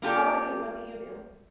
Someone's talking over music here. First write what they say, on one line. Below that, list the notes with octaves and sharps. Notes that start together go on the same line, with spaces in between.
How 'bout you, what do you do?
A#3 F4 G4 A4 D5